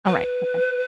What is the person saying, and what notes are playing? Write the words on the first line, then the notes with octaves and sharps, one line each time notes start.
Alright. Bye-bye.
B4